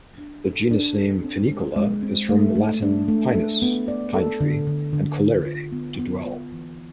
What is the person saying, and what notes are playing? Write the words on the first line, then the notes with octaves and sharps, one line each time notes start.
The genus name "Pinicola" is from Latin "pinus", "pine tree", and "colere", "to dwell".
D4
A4
D4
A4
C4
G#3
G#3
C4
A3
A3
D4
A3
A4
B3
D5
A4
D3
D3
D3
D3
F4
B3
B3
F4
E3